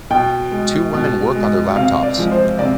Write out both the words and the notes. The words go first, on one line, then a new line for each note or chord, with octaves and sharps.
Two women work on their laptops.
B2 G5
G#3
B2
G#3
C3 F5
D5
F3 G#3
C5
C3 D5